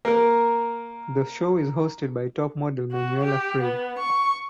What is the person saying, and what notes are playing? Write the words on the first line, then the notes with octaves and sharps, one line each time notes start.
The show is hosted by Topmodel Manuela Frey.
A#3 A#4
F#4
G4
B3
C#6